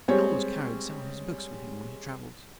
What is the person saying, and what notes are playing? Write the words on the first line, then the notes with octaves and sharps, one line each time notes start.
He always carried some of his books with him when he traveled.
G3 G#3 C4 C#5